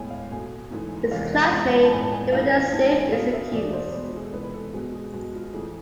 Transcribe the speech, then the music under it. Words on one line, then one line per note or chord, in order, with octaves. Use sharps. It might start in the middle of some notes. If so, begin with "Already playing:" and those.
His classmate, Duvinder Singh, is accused.
Already playing: A2 G#3 B3 G#5
F5
B2 A3 G#5
G#2 E3 A3
E2 C3 F3 G#3 F5
F2 E3 G#3 B3
B5
A5
A2 G#3 B3 G#5
A5
G#5
F2 E3 A3 F5
G#5
G#2 E3 B3 A5
A5
G#5
B2 B3 F5
E5
E2 B2 A3 D5
C5
B2 G#3 B3
F4
G#4
A4
C3 E3 G#3 B3 B4
B4
A4
B2 G#3 B3 G#4
G#4
B2 G#3 B3 G#4
F4
F2 E3 A3 G#4